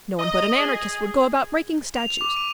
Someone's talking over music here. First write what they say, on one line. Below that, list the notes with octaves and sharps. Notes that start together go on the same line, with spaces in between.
No one but an anarchist would go about breaking statues.
D#5
G#4
F7
F7
D6
D#7